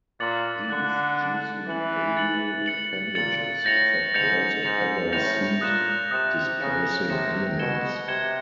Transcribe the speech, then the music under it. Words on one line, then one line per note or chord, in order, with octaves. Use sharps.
These juicy aril appendages attract birds and other seed dispersing animals.
A#2 D6 F#6 A6 C#7 F#7
D3 D6 F#6 A6 C#7 F#7
D6 F#6 A6 C#7 F#7
E3 A6 C#7 F#7
A6 C#7 F#7
A6 C#7 F#7
A#2 A6 C#7 F#7
A2 G6 A#6 C#7 F7
G#2 G6 A#6 C#7 F7
G#2 G6 A#6 C#7 F7
A2 G6 A#6 C#7 F7
A#2 D#6 F#6 A#6 C#7 E7
C3 D#6 F#6 A#6 C#7 E7
C#3 D#6 F#6 A#6 C#7 E7
C3 D#6 F#6 A#6 C#7 E7
B2 G#6 C#7 E7 G7
C3 G#6 C#7 E7 G7